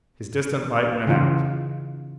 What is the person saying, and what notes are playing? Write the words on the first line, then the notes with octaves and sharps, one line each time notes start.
His distant light went out.
C#3 E3 D#4 F4